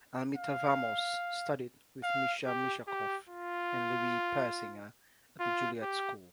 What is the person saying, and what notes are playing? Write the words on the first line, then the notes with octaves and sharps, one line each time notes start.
Almita Vamos studied with Mischa Mischakoff and Louis Persinger at the Juilliard School.
F5
F5
G4
G4
F4
F4
G4